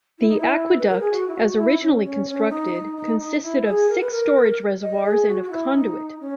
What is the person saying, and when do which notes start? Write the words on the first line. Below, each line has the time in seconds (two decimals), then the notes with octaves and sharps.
The aqueduct as originally constructed consisted of six storage reservoirs and of conduit.
0.19 E4
0.29 D#4
0.39 E4
0.78 B4
0.89 A#4
1.00 G#4
1.12 F#4
1.28 E4
1.34 F#4
1.48 F#4
1.57 E4
1.81 C#4
2.04 C#4
2.27 C#4
2.50 D#4
2.74 D#4
2.97 D#4
3.20 D#4
3.43 E4
3.66 G#4
3.89 A#4
4.00 B4
4.11 A#4
4.82 D#5
5.05 G#4
5.28 F#4
5.43 F#4
5.50 E4
5.74 D#4
6.20 C#4